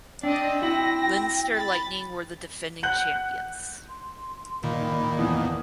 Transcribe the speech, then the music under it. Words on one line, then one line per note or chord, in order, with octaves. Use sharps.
Leinster Lightning were the defending champions.
C4 D4 D5 D#5 G5
E4 F#4 A#6
B5 A6
F#5 F#6 G6 F#7
C6
A#2 D#3 A#3 B5
E2 E3 F3 D#6